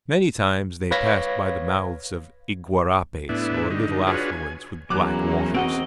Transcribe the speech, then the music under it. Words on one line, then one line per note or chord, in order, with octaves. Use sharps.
Many times they passed by the mouths of iguarapes, or little affluents, with black waters.
B4 C#5 F5 G#6 A#6 B6
A2 B3 D4 E4
D3 G3 D#4
D4 F4 F#4 G#4 B4 C#5
G#5
E2 F#3 A#3 C#4 D6 F#6
C4 F#4 D#5 F#5